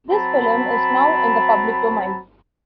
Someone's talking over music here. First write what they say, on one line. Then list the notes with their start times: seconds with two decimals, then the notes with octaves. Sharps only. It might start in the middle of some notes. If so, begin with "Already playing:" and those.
This film is now in the public domain.
0.11 F#3 C4 A5 B5